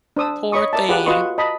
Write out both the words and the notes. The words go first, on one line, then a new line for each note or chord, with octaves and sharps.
Poor thing,
D4 C5 D#6 E6
C#5 D#5 B5 C#6 D#6
A#4 D5 E5 A5
F4 G4 G#4 B4 D5 F#5
F4 F#4 B4 D#5 C6 C#6
D#5 A5 B5